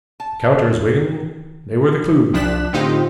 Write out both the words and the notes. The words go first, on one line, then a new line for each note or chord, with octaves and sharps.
The counters, Wigan, they were the clew.
A5
C2 F3 D4 F#6 B6 E7
A2 D3 C4 D#4 F4 G4